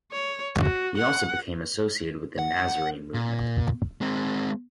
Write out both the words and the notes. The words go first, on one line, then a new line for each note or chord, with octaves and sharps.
He also became associated with the Nazarene movement.
C#5
F#4
F#5
F#5
A#2
G#3 C4